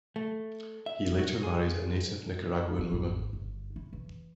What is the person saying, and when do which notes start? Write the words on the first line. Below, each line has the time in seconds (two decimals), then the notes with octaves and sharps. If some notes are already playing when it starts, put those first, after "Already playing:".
He later married a native Nicaraguan woman.
0.16 A3
0.86 E5
1.19 F#4
1.43 G#4
2.78 F#3
2.92 G#1
3.33 G1
3.76 E4
3.93 E3